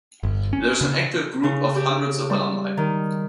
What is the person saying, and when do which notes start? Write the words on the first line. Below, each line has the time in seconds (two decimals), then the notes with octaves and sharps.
There is an active group of hundreds of alumni.
0.23 G1
0.53 C#4
0.81 C#3
1.43 C#3
1.76 G4
2.30 G3
2.77 D#3